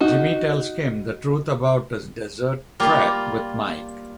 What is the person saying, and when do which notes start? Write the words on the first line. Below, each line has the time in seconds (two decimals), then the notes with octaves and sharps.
Jimmy tells Kim the truth about his desert trek with Mike.
0.01 D#4 F#4
2.80 G3 A#3 F4 A#5